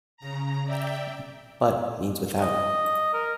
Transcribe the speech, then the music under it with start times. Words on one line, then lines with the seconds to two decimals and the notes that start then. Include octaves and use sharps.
"But" means without.
0.17 C#3 A#5
0.65 D5 E5 G5
2.42 D#5
3.14 A#4